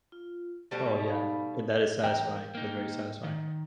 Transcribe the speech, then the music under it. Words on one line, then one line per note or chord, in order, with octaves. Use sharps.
Oh, yeah. Th that is satisfying, that's very satisfying.
F4
B2 G3 A3 C5
D#4 F5 B5
D#5
E2 A#4 G5
A#3 D#4
D#3